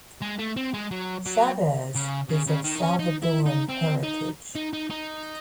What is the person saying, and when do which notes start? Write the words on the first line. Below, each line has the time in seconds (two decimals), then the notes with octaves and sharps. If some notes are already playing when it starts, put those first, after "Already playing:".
Chavez is of Salvadoran heritage.
0.22 G#3
0.39 A3
0.57 C4
0.74 G#3
0.91 F#3
1.26 F#3
1.95 C#3
2.29 C#3
2.47 C#3
2.64 D#3
2.76 D#4
2.83 C#4
2.99 D#4
3.23 E4
3.46 D#4
3.69 C4
4.03 D#4
4.55 D#4
4.73 D#4
4.90 D#4